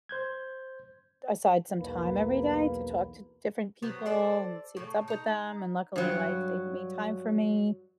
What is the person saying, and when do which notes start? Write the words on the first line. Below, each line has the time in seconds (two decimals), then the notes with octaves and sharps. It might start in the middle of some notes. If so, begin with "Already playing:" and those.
aside some time every day to talk to different people and see what's up with them, and luckily, like, they made time for me
0.09 C5 G6 G#6
1.78 B1 E2 A#3 B4
3.82 F#3 B3 C4
4.06 A4 C5 D5 E5
4.77 A2 C#3
5.08 D#4 A#5
5.96 G2 F#3